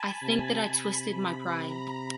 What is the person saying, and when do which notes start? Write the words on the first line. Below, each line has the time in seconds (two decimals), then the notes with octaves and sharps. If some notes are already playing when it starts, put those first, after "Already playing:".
I think that I twisted my pride.
Already playing: G#5 A5 B5
0.23 C3
0.66 C3
1.55 A#5